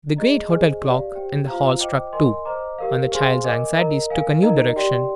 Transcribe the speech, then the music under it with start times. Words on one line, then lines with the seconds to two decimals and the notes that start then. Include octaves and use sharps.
The great hotel clock in the hall struck two, and the child's anxieties took a new direction.
0.16 G#4 D#5 A#5
0.49 G#4 C5 D#5 G#5
0.82 G4 D5 F5
1.15 G4 C5 G5
1.47 F4 C5 F5 A#5
1.80 C5 D#5 G5 D6
2.13 A#4 D#5 G#5 C6
2.45 C5 D#5 A#5 D6
2.78 G4 A#4 F5
3.12 G#4 C5 F5 G#5 C6
3.44 A#4 D#5 G#5 D6
3.77 A#4 D#5 A#5
4.10 A#4 F5 G#5
4.42 D#4 A#4 D#5 A#5
4.76 G4 D5 G5 C6